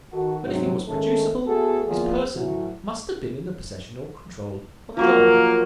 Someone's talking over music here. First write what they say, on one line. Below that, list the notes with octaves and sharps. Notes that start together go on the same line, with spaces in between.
But if he was producible, his person must have been in the possession or control of John.
D#3 F#4 A4
G#2 C3 F#3
D#3 G#3 A3 C#4 A4
A3 B3 F#4 G#4 A4
E2 F3 A#3 F4 G#4
A2 E3 F#3 F#4
F3 F#3 A#3 A#4